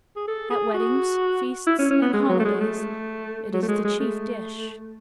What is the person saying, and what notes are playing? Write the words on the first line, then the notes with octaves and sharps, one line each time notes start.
At weddings, feasts, and holidays it is the chief dish.
G#4
A4
G#4
F#4
E4
C#4
C#4
B3
G#3
F#3
A3
G#3
A3
F#3
A3
G#3
G#3
A3